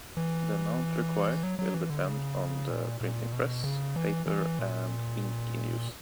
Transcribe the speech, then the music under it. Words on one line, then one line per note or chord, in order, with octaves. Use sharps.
The amount required will depend on the printing press, paper, and ink in use.
E3
F#3
F#3
E3
D3
C#3
A#2
A#2
B2
C#3
E3
E3
A#2